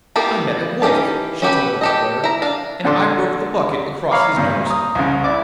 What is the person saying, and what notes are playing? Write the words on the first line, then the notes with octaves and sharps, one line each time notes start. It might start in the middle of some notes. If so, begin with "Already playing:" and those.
'I met a wolf,' she told the bricklayer, 'and I broke the bucket across his nose.'
A#3 B3 E4 G4 A4
D#3 E3 C#4 G4 A5
C#4 F#4 G4 A4 B4
G4 A4 D#5
E4 A#5
D4 F5
A#2 D3 D4 A4 C6 D6
C#5 E5 F5 A#5 B5 D6
G2 A#2
A#5 D#6
C2 C#3
E4 D5 D6